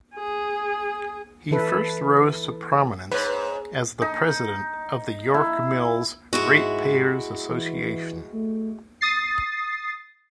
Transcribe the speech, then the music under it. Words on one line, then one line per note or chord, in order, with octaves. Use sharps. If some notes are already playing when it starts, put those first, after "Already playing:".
He first rose to prominence as the president of the York Mills Ratepayers Association.
G#4
E3 E4 A4 B4
G#2 B4 C#5
D#4
E4
G#2 G#3 E4 F#4
E3
A3
D#6 A6 C7